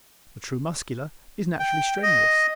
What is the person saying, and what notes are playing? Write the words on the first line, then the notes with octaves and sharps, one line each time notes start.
The true Muscular is naturally strenuous.
G5
D#5